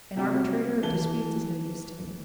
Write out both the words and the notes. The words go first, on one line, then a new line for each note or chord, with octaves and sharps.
An arbitrator of disputes is no use to me.
C3 F#3 G3 F#4
E3 A5 G7